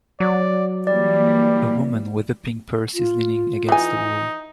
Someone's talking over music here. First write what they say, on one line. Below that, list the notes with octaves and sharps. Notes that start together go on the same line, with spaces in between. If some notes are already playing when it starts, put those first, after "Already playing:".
A woman with a pink purse is leaning against a wall.
F#3 D5
E3 G3 A#3 D5
F4
E3 D#4 G#5